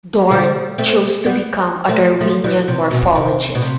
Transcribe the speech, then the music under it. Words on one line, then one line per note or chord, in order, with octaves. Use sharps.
Dohrn chose to become a "Darwinian morphologist".
D3 F3
A3 C4
G3 B3
A3 C4
F3 A3
E3 G3
C3
B2
C3
B2
C3